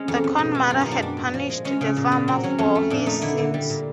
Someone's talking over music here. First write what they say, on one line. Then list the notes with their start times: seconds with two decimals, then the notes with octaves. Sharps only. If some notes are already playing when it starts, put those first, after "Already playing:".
The Corn Mother had punished the farmer for his sins.
Already playing: G#3 C#4
0.08 F2
0.24 F2
0.38 B2
0.55 G#3
0.70 F#2 F4
0.81 F#2 D#4
0.91 D4
1.02 G3 D4
1.17 A#2
1.34 F3
1.49 G#3
1.64 G#3 C#4
1.81 C#3
1.96 A#2
2.12 A#2
2.28 F#3 C4
2.43 F#3 C#4
2.58 F2 C#4
2.75 A3
2.90 A#2 D4
3.06 A3 D#4
3.21 D3 E4
3.38 D3
3.54 G3
3.70 A#2